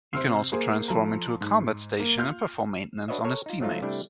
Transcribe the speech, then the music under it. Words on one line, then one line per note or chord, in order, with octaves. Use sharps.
He can also transform into a combat station and perform maintenance on his teammates.
C3 C5 C6 E6 F6 C7
A#3 G#4 C5
F3 A4 A#5
G#2
A#3
F4 F6 G6
D4 F#4 B4 C#5 D#5 E5
A4 A#4 C#5
D#4 F4
F3 F#3 A3 D#4 F4
C3 G3 A3 D4 E4